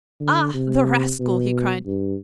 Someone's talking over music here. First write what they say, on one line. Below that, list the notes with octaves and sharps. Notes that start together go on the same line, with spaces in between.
"Ah, the rascal!" he cried.
D3
C3
B2
G2